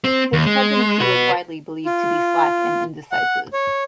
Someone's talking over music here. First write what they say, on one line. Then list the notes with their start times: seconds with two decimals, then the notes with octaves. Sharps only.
His presidency was widely believed to be slack and indecisive.
0.04 C4
0.33 D#2
0.46 G#3
1.00 F#4 B4
1.86 F4
3.12 F#5
3.53 C#5